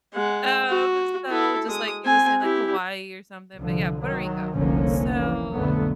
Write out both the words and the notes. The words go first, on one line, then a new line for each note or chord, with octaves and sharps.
um, so just like you would say, like, Hawaii, or something, but, yeah, Puerto Rico. So,
G#3 F#5
F#4
E4 A4
G#3 D#6
C4 G#5
E4 G4
C2 D3 F3
D#3 F#3
F1 C2 D3 F3 A#3 C#4
E3
B1 F2 D3 F#3 A3 B3